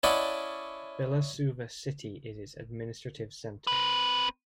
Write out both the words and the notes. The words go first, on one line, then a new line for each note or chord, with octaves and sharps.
Bilasuvar city is its administrative center.
C#4 E4 D5 D#5 F#5 A5
C4 B4